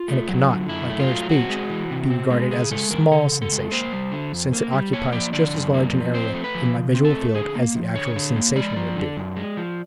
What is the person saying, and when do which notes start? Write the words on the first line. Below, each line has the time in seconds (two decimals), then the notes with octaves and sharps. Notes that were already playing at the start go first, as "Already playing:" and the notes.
And it cannot, like inner speech, be regarded as a SMALL sensation, since it occupies just as large an area in my visual field as the actual sensation would do.
Already playing: F4
0.08 A3
0.29 F#3
0.49 D3
0.69 F#2 E4
0.90 A3
1.00 F4
1.10 F#3
1.30 C4 F#4
1.49 G#3
1.70 E3
1.91 C3
2.10 C4
2.30 G#3
2.51 C#3 G#4
2.71 G#3 A4
2.91 E3 A#4
3.11 C#3 A4
3.32 C#3
3.42 A4
3.52 G#3
3.72 A#3 C5
3.93 G3
4.12 D3
4.32 F2
4.53 A#3
4.73 G3
4.93 A#3 C#5
5.13 F3 D5
5.33 D3 D5
5.54 F#2
5.74 A#3
5.94 F3
6.14 C4 C5
6.34 A3
6.44 B4
6.55 F3
6.75 C#3
6.94 C4
7.05 A4
7.14 A3
7.35 D3 G#4
7.55 A#3
7.75 F3
7.95 D3 C#5
8.16 D3
8.36 A#3
8.56 G#3 D5
8.76 F3
8.96 D3
9.17 F#2
9.36 G#3
9.57 F3